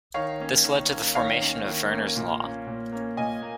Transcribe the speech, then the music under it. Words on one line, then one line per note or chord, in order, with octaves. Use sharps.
This led to the formation of Verner's Law.
D#3 C#5 F5
A#3 C#4
D#3
A#3 C#4
D#3 C#5 F5
A#3 C#4
D#3
A#3 C#4
A#2
A#3 C#4
A#2
A#3 C#4
A#2 D#5 G#5
A#3